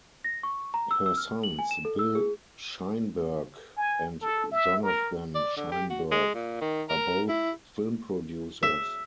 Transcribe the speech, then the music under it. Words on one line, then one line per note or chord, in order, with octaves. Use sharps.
Her sons, Bill Sheinberg and Jonathan Sheinberg, are both film producers.
A#6
C#6
A#5
E6
E6
F6
F#7
G#5
E7
A4
E6
G#4
G#5
A4
E5
A#4
D5
D3
G4
F#4
G#3
A#2
D#3
A#4
E4
E5